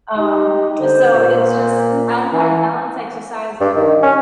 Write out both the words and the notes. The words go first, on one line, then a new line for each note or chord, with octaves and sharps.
um, so it's just uh, I balance exercise with
D#4 G4
D3 C5
A#2
C#4
E3 G#5
G2
D#3
C#4